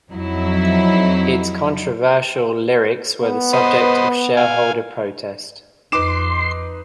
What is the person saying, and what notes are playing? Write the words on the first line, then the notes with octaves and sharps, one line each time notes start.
Its controversial lyrics were the subject of shareholder protest.
F2 F#3 D#4 E4
B3
B4 C5 D#5
F5 G#5
F2 D#4 B4 C6 D6 E7